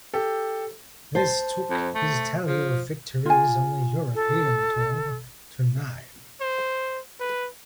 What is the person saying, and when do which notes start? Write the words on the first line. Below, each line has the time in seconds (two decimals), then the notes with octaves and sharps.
This took his tally of victories on the European Tour to nine.
0.14 G4 A4
1.15 C5 A5
1.70 F2
1.95 A3
2.47 F3
3.26 F4 G#5
4.15 A4
6.41 C5
7.20 B4